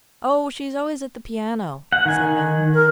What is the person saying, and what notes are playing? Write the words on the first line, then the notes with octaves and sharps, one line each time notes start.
"Oh, she's always at the piano," said Van.
F#5
D#3 G#5
A#4